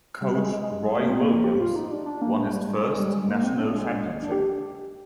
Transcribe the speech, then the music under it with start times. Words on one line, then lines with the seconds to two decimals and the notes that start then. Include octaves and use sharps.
Coach Roy Williams won his first national championship.
0.21 G3
0.36 G#3
0.53 G#3
0.63 G#3
0.83 G#3
0.98 A#3
1.10 C4
1.21 A#3
1.44 G4
1.60 F4
1.76 D#4
1.91 D4
2.06 D4
2.22 A#3
2.37 G#3
2.53 G3
2.67 G#3
2.82 G#3
2.99 G3
3.13 G#3
3.29 A#3
3.44 C4
3.60 D4
3.75 G#3
3.91 G#3
4.22 D4
4.32 G4